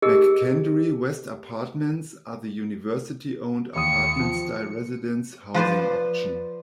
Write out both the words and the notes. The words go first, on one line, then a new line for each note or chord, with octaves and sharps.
McKendree West Apartments are the university-owned apartment-style residence housing option.
D#4 G4 G#4 A#4 D#5
D#2 D#6 C#7
F3
F3 B4 C5 D5